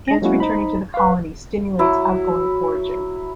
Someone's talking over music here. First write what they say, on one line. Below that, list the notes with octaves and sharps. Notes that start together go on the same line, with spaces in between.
Ants returning to the colony stimulates outgoing foraging.
G#3 A#6
F#3 G#3 A#3 C#4 E4 F#4
D#4 C5 B5
B4 F5
F#3 E4